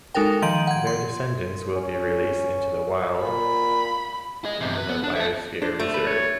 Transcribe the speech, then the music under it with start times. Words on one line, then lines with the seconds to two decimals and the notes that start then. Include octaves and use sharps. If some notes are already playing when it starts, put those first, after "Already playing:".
Their descendants will be released into the wild in the Biosphere Reserve.
0.15 G#3 D#4 F#4 A4 A#4 G5
0.42 D#3 F3 G6 D7 D#7 F#7
0.67 F#5 G#6
0.87 C6
1.75 C#4
3.22 A#2 B5
4.45 G#4 D#5
4.60 E2 C3
4.78 B4
4.89 B3
5.03 D4
5.16 E5 A5
5.62 D4 C5
5.80 A3
5.94 B4
6.06 C#5